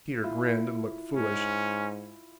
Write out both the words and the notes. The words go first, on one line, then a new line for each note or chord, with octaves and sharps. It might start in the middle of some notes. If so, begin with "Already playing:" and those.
Peter grinned and looked foolish.
E4 F4
G#2 C#4